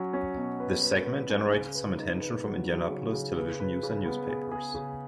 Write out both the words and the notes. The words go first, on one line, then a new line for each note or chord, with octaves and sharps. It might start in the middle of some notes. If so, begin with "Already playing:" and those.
This segment generated some attention from Indianapolis television news and newspapers.
Already playing: F#3 C#4
C#4
B2
B4
B4
B4
C#4
C#3
B4
D#4
B4
F#3
F#3
C#3
C#3
B4
B4
C#3
B3
G#4
G#4
C#3